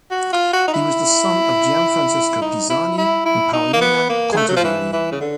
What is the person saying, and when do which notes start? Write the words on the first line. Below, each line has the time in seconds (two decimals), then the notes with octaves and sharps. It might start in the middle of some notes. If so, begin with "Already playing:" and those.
He was the son of Gianfrancesco Pisani and Paolina Contarini.
0.11 F#4
0.33 F4
0.53 F#4
0.68 D#4
0.74 E4
2.42 D#4
2.70 E4
2.98 E4
3.25 E4
3.53 D#4
3.73 A#3
3.81 B3
4.09 A#3
4.32 G#3
4.37 A3
4.49 F#3
4.56 F3
4.64 E3
4.93 E3
5.12 C#3
5.21 D3